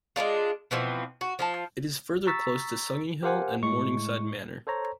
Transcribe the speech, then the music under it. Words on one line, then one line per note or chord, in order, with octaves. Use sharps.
It is further close to Sunninghill and Morningside Manor.
G#3 B3 D4 F4
B2 E3 F3 C4
F#4
F3 F4 A5
A#5 C#6 E6 A6 B6
G4 A#4 C5 F5 F#5 G#5
A2 G#3 C#6
A4 C5 C#5 A#5